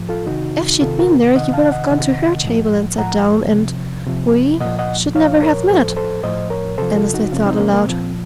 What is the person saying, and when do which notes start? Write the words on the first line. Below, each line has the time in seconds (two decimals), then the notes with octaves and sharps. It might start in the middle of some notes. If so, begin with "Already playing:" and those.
"If she'd been there, you would have gone to her table and sat down, and we--should never have met!" Annesley thought aloud.
Already playing: A2 F3
0.09 F4 A4
0.27 C3 D#3 D#4 F#4
0.81 C3 D#3 F4 A4
0.99 F#4 A#4
1.35 C3 D#3 D#5 F#5
1.53 F5 A5
1.72 D#5 F#5
1.90 C3 D#3
2.44 A2 F3
2.98 A2 F3 F#5 A#5
3.52 C3 F3
4.07 C3 F3
4.61 A#2 F3 D#5 F#5
4.79 D#5 F#5
5.15 A#2 F3 C#5 F5
5.42 A#4 C#5
5.69 A2 F3 A4 C5
5.97 A4 C5
6.23 A2 F3 C5 D#5
6.50 A#4 C#5
6.78 C3 F3 A4 C5
6.95 F4 A4
7.14 D#4 F#4
7.32 C3 F3 C#4 F4
7.46 C4 D#4
7.59 A#3 C#4
7.73 A#3
7.86 A#2 F3 C4